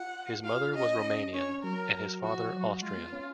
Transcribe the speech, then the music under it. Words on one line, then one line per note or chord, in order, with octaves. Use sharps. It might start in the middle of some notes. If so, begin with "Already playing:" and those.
His mother was Romanian and his father Austrian.
Already playing: F4 F#5
F4 F5
C#4 D#5
C#4 C#5
C#4
F#3 A#4
F3 F#4
F3
F#3
G#3 F4
B3
C#4